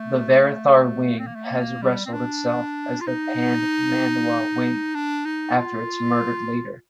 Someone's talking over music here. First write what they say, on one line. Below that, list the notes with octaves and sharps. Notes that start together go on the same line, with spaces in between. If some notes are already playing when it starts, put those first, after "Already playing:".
The "Varathar wing" has restyled itself as the "Padmanaba wing", after its murdered leader.
Already playing: A3
C4
A#3
A3
A#3
G3
C4
D4
F4
D#4
D4
D#4
F4